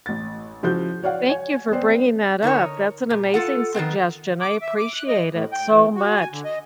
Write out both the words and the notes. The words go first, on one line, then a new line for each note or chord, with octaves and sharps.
Thank you for bringing that up. That's an amazing suggestion. I appreciate it so much
A1 A6
C#3 F3 E4 F#4 G6
F#4 C#5 D5 F5 F#5
C#5 G#5
B3 C4 C5 D5
D3 D#4 A#4 C#5
A#2
F4 A4 F#5
D#3 F3 B3 C4
D6
E5
D6
F#6
D#5
A2
G5
E3
F#4
G#5
D3
D#5